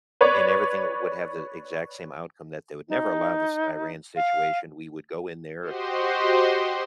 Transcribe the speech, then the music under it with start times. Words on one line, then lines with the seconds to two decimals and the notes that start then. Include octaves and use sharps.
and everything would have the exact same outcome that they would never allow this Iran situation. We would go in there
0.21 B4 C#5 D5
2.89 D#4
4.16 F5
5.61 F#4 G4 C5 D#5 C6